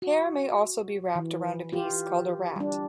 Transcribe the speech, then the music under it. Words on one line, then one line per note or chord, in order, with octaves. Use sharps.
Hair may also be wrapped around a piece called a "rat".
F#4
E3
F4 G4
G3 D4